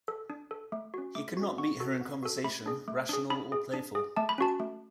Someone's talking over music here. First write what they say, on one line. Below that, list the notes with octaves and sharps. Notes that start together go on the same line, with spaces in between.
He could not meet her in conversation, rational or playful.
A4
D4
A4
A3
C#4 F#4
A3 D6
C#4 F#4
B3 C#6
F#4 A4
B3
F#4 A4
A3 B5
D4 G#4
A3
D4 G#4
D4 B5
G#4
D4
G#4
A3 A5
B5
C#4 F#4 A5
A3